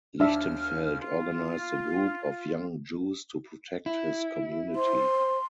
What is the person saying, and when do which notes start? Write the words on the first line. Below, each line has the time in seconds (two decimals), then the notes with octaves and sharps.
Lichtenfeld organized a group of young Jews to protect his community.
0.20 D#2 D4 E5 F6
1.01 F4
3.86 E4
4.76 C5 C6